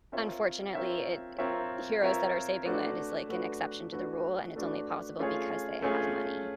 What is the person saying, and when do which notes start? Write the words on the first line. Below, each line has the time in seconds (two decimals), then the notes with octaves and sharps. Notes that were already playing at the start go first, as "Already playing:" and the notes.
unfortunately, it, eh heroes that are saving land is, like, an exception to the rule, and it's only possible because they have money.
0.12 C4 F4 A#4 C#5 E5
0.75 C4 F4 A#4 C#5 E5
1.38 C4 F4 A#4 C#5 E5
2.02 C4 F4 A#4 C#5 E5
2.65 A3 D4 F#4 B4
3.29 A3 D4 F#4 B4
3.92 A3 D4 F#4 B4
4.56 A3 D4 F#4 B4
5.19 A3 C#4 F4 G#4 C#5
5.82 A3 C#4 F4 G#4 C#5